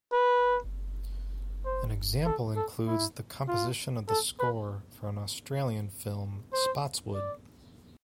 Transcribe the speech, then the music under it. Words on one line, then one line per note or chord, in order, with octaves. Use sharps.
An example includes the composition of the score for an Australian film "Spotswood".
B4
C5
A4
A4
E4
F4
A4
B4
C5
D5